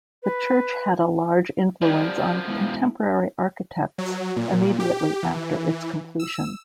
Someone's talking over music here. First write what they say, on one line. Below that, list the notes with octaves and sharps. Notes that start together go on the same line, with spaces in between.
The church had a large influence on contemporary architects immediately after its completion.
B4
F#2 F3 G4 D5
G#3 B3 E4
F#3
A#2
G4
E3
E6